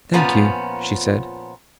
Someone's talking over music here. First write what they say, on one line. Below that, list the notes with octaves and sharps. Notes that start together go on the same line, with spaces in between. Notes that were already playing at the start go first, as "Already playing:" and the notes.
"Thank you," she said.
A#2 F3 B3 C#4